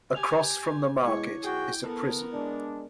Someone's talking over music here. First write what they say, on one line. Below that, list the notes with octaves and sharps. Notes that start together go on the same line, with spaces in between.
Across from the market is a prison.
G4 G#5 F7
B2 G#3 E4 C#5 D6
B1 F#4 G#4 G5
B3 A4 A#4
G#3 D4